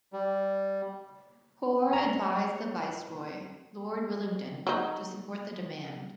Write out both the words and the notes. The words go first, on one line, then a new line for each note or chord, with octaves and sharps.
Hoare advised the Viceroy, Lord Willingdon, to support the demand.
G3
C#5 A#5
F#3 D#4